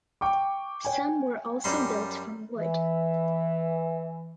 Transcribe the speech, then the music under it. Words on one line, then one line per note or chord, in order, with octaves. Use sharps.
Some were also built from wood.
G5 C#6 D6
C#5 G5 G#5
F#2 G3 C6
E3 E5